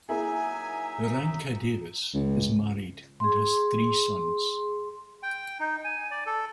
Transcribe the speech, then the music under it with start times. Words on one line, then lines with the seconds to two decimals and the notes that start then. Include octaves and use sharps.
Irranca-Davies is married and has three sons.
0.09 F#3 A#3 D#4 E4 G#4 E5 G#5
2.14 C#2
3.20 G#4 C6
5.23 G5
5.60 D#4
5.84 G#5
6.11 D5
6.26 A4